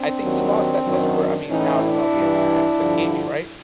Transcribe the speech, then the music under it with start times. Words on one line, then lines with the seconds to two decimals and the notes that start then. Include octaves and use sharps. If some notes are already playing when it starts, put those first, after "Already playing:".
I think we lost that touch where I mean, now it's all we have Internet to play gaming, right?
Already playing: C4 D4
0.20 D#2 D#3 F#3
0.85 F#2 D#3 F#3
1.49 A2 E3 C#4 D#4
1.82 D4 E4
2.13 G2 E3
2.78 G2 D3 F3